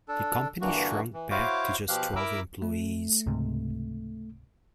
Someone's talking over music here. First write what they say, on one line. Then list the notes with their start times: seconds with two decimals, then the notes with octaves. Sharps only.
The company shrunk back to just twelve employees.
0.08 D4 A4
0.61 G2 D3 E3 A#3 F#4
1.13 E3
1.31 E4 F#4 C5 C#5 F5 D6
1.88 B2 F3 G4 F5 F#6
2.16 E4 A#4 A#5 B5 D6 E6
2.62 A3
3.27 C#2 G#2 C3